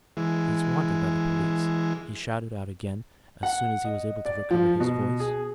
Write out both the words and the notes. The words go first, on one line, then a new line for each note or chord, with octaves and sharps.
"He's wanted by the police," he shouted out again, as soon as he was able to recover his voice.
E3 G#3
F#5
D#5
D5
F3
B2
G#4